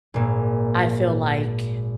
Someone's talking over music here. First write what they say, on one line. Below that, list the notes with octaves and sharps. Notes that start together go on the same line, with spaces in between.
I feel like
G#1 A#2